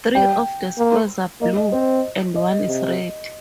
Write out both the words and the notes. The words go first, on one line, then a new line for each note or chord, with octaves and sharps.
Three of the squares are blue and one is red.
G3 G5
A#3
A#3 D#5
D#5
C4 C5
D#5
C3